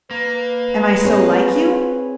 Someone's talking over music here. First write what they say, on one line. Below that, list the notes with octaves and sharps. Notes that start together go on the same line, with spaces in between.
"Am I so like you?"
A#3 B4
C4 G#4 C#5